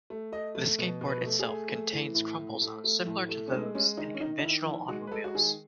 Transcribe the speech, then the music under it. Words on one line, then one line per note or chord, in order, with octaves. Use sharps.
The skateboard itself contains crumple zones similar to those in conventional automobiles.
A3
A3 D#5
A3
B2
B2
B4
A3
G#4
A3
A3
E3
A2
A2
A3
A3
A2
A3
C#4
G#3 D#4
G#3 C#4
D#3 D#4
C#4
D#3 D#4
D#4
D#3 E4
D#3 E4
G#3 F#4
B4
G#3 A4
F#4
D#3 G#4